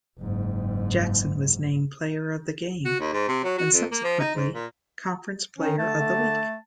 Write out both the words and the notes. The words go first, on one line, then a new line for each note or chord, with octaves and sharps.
Jackson was named player of the game and subsequently conference player of the week.
F#1 G#2
F#4
D#2
G#2
C3
F#3
F#4
F2
A#3
F3
D#4
G#2
A#2
D#3 C#4
D3 A3 A5
A3